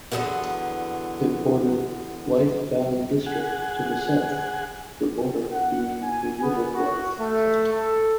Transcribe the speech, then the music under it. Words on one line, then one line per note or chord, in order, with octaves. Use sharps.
It bordered Blyth Valley district to the south, the border being the River Blyth.
E2 D3 F3 F#3 A#3 B3
G#4 F#5
F#5
G#5
B3
F#4
A3
A4